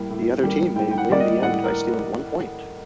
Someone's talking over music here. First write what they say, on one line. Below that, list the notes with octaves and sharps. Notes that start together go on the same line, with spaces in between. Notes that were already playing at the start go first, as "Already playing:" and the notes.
The other team may win the end by stealing one point.
Already playing: A2 G3 A#3
A2
G3 A#3
A2 G5
G5
F#5
G3 A#3 D5
D#5
A2 F#5
A#4